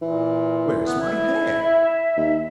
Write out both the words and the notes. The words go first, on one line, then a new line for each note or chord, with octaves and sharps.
Where's my hair?
A#2 E3
B3
E4
E5
D#2